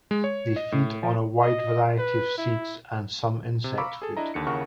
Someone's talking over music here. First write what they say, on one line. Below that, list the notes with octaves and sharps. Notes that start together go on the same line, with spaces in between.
They feed on a wide variety of seeds and some insect food.
G#3
C#5
D#5
A2
F3
D#5
B4
E4
C3
F5 A#5 B5 C#6 D6 E6
G#4 A4
D4 E4 D#5 A#5
D#2 D3 C#7
D#2 C#3 E4 A#4 F#5 C#6